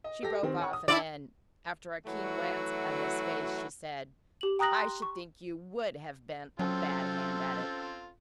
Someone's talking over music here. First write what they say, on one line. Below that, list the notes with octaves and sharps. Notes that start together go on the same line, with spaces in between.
She broke off, and then, after a keen glance at his face, she said: "I should think you WOULD have been a 'bad hand at it'!"
D#5
G4 A4 A#6
D#3 C4 G4
C#5 F#5 C#6
D#6
E4 F4 D5 G5 A5
E3 F#3 A3 F#4
G4 F#7
G5 A#5 D#6 F#6 A#6 F#7
C6 F#6
C#6
F#3 C4 C#4 F4 A4 C5